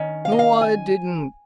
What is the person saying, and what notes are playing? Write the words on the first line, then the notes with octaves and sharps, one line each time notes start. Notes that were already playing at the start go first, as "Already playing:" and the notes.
No, I didn't.
Already playing: D#3 C#4
F5
D#5
F5
G#5